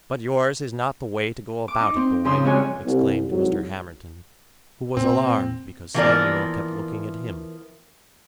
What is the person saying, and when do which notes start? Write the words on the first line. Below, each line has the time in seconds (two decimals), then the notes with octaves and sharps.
"But yours is not the way to go about it, boy!" exclaimed Mr. Hamerton--who was alarmed because Samuel kept looking at him.
1.68 D6
1.80 D#4
1.96 C4
2.25 C#3 F3 C6 E6
2.45 G#2 G3 F4 F#4 C#5 G#5
2.86 C2 C3
3.29 C2 G#2 F#3
4.97 A#2 C4
5.94 E3 F3 A#3 B3 A#4 D5